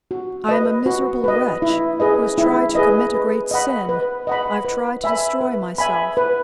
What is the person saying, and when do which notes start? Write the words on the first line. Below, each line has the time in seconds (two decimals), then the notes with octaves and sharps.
I am a miserable wretch who has tried to commit a great sin--I have tried to destroy myself.
0.11 F#4
0.49 B4 D#5
0.86 F#4
1.24 B4 D#5
1.62 E4
2.00 G#4 B4 D#5
2.38 E4
2.75 G#4 B4 D#5
3.14 B4
3.51 D#5 F#5 B5
3.89 B4
4.27 D#5 F#5 B5
4.65 B4
5.04 E5 G#5 B5
5.41 B4
5.78 E5 G#5 B5
6.17 B4